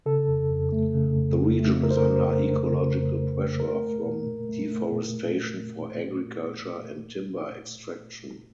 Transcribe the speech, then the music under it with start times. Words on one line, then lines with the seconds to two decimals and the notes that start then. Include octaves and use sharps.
The region is under ecological pressure from deforestation for agriculture and timber extraction.
0.06 C#3 A4
0.28 F2
0.50 F2
0.72 A3
0.94 C#3
1.17 F2
1.39 F2
1.60 A3
1.83 C#3 A#4
1.91 C5
1.97 A#4
2.04 F2
2.27 F2
2.49 A3
2.71 C#3
2.94 F2
3.16 F2
3.38 A3
3.60 A3 A#4
3.82 A3
4.04 A#2
4.27 A#2
4.49 A3
4.71 A3
4.92 A#2